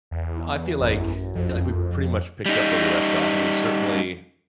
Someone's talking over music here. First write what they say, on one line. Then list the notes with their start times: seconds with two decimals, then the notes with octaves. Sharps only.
No, I feel like I feel like we pretty much picked up where we left off. I mean, certainly,
0.11 E2
0.81 A1 F#2
1.35 F2
2.46 G3 D#4